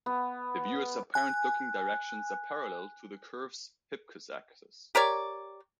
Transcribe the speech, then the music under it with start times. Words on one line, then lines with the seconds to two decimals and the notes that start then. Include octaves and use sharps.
The viewer's apparent looking directions are parallel to the curve's "hypcos" axis.
0.06 B3
1.14 G#5 F#6
4.95 G4 A#4 C#5 D5